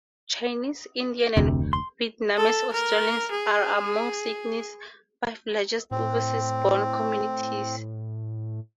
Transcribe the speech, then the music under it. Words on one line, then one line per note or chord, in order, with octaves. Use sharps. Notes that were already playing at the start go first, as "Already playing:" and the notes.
Chinese, Indian and Vietnamese-Australians are among Sydney's five largest overseas-born communities.
F1 D2 C3
C6
A4
A#4
G#4
A2 C4